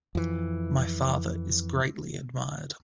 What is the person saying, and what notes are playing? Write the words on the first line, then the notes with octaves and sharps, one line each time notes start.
My father is greatly admired.
F2 E3